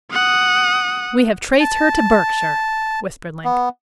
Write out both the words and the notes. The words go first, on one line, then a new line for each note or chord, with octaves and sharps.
"We have traced her to Berkshire," whispered Link.
F#5 D#6
A5
B3